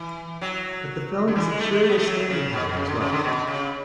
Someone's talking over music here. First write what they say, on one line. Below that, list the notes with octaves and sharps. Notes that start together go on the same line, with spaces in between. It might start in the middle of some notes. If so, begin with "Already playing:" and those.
But the film has a curious staying power as well.
Already playing: E3
F#3
D3
E3
G#3
A3
G#3
A3
B3
A3
F#3
C#3
B2
B2
C#3
D3
C#3
D3
B2
C#3